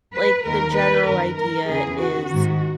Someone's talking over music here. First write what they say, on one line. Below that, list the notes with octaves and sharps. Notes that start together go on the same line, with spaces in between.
like, the general idea is
B4
D#2 D#3 A#4
B4
F#2 D#3 A#4
A#4
E2 C#3 E3 G#4
F#4
G#2 D#3